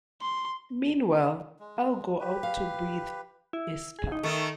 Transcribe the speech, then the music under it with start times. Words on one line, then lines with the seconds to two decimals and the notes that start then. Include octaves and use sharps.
Meanwhile I'll go out to breathe a spell.
0.22 C6
1.59 G#3
2.20 G4 B4
2.43 F5
3.53 E4
3.99 G#4
4.12 D#4
4.23 D#3 A3